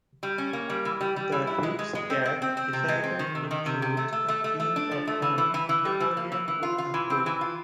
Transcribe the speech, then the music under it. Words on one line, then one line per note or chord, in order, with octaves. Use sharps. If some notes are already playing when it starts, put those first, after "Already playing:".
The Riksdag decided to choose a king of whom Napoleon would approve.
G3
C#4
A#3
G3
E3
G3
G3
E3
E4
G#3
G#3
G#3
C4
C4
C4
C4
C3
G#3
C4
D#3
C3
D#3
C3
C3
A3
A3
A3
A3
A3
D4
F3
A3
E3
E3
E3
E3
G3
E3
A#3
E3
E3
F4
F4
E3
C4
E3
F4